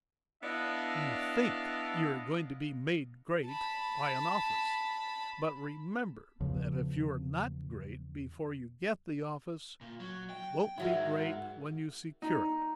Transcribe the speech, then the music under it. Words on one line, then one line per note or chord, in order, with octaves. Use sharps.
You think you are going to be made great by an office, but remember that if you are not great before you get the office, you won't be great when you secure it.
B3 D4 E4 D5 D#5 F5
A5 B5
E2 C#3 F3
A#2
F#3
G5
G#2 D#3 F#3 G#3 E4
D#4